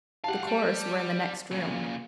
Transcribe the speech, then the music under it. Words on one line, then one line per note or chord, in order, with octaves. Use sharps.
The chorus were in the next room.
G4 F5 F#5 A5
G3
A#2 C#3